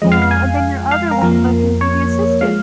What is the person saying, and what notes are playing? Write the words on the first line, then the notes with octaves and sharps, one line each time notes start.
Aw, and then your other one can be the assistant.
F2 F3 G#3 D#5
F5
F5
G#5
F5
A#4
F2 F3 A#3 A#4
C#5
F3 G#3 F5